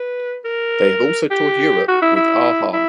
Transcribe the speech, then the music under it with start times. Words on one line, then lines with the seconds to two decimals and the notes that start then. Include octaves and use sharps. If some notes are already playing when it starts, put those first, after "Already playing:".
They have also toured Europe with a-ha.
Already playing: B4
0.44 A#4
1.31 G4
1.88 F#4
2.02 E4
2.16 E4
2.73 E4